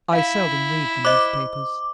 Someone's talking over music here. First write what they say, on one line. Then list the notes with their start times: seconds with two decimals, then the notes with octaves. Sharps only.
"I seldom read the newspapers."
0.13 E4 F5
1.05 C5 D#5 D6